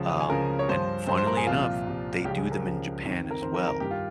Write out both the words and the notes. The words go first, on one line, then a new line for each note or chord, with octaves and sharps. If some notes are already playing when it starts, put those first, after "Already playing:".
um, and funnily enough, they do them in Japan, as well.
Already playing: C#2 C#3 F3
D#6
G#5
C#2 C#3 F3 A#4
C#5
G2 F3 C5
G2 F3 C5
C5
A#4
G#4
C2 A#2 F3 F4
C2 A#2 F3
C#2 C#3 F3 G4
G#4
A#4
C#2 C#3 F3
F2 D#3
A#4
F2 D#3 C5
A#4
A#4
G2 D#3 G4
F4